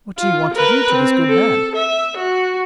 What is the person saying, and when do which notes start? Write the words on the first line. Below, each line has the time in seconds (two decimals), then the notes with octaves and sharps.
What do you want to do to this good man?
0.18 F4
0.54 A#4 B4
0.92 C4
1.29 A4
1.76 E5
2.17 F#4